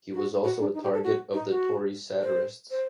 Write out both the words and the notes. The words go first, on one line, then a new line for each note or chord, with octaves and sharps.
He was also a target of the Tory satirists.
F#4
F#4
D4
D#4
G4
A4
F#4
D#4
F#4
C5
C5